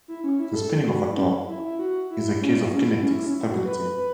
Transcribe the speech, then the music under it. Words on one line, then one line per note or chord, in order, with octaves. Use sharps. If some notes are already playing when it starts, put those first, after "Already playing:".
The spinning of a top is a case of kinetic stability.
E4
C#4
E4
A4
F#4
E4
C#4
E4
E4
F#4
E4
C#4
E4
C#4
E4
E4
C#4
E4
C#4
E4
F#4
B4
B4